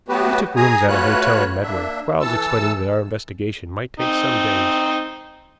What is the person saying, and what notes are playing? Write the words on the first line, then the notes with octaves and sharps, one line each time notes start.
We took rooms at a hotel in Medworth, Quarles explaining that our investigations might take some days.
F#3 A3 B3 F#4 G4 B4
G#4 G#5 A#5 D#6
A3 F4 F#4 B4 C#5 F#6
A#3 D4 E5
E3 A4 A5 E6
C4 D#4